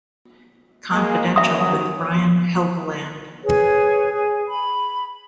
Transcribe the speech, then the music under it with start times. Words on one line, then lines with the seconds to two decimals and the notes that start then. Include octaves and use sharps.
Confidential with Brian Helgeland.
0.92 G#3 A#3
1.36 F#2 D#3 F#3 E5 D#6
3.44 G#4 B4 C#5
4.14 G#4
4.48 B5